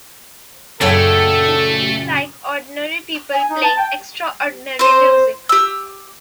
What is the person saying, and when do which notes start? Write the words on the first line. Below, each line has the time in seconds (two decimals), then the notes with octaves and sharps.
They seemed like ordinary people playing extraordinary music.
0.81 F#2 A#2 C#3 A3 A4 C#5 F#5 G5
3.33 G#5
3.48 D#4
3.63 A5
3.77 G5
4.79 C4 C5
5.49 G4 E6